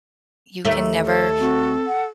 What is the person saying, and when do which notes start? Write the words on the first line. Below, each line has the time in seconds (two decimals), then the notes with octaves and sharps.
you can never
0.65 D#2 A3
1.05 A4 C#5
1.40 C4 F#4
1.87 F#5